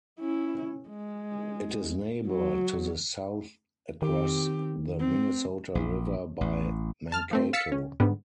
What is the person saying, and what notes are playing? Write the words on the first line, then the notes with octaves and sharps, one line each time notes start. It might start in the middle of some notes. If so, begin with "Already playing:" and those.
It is neighbored to the south across the Minnesota River by Mankato.
C#4 E4
G#3
F#3
D#3 C4 G4
C4
A#1
A1
A5 F6
F3 A3 C4
F5 E6 A6 B6 C#7
C#4
G#2 D3 G3 B3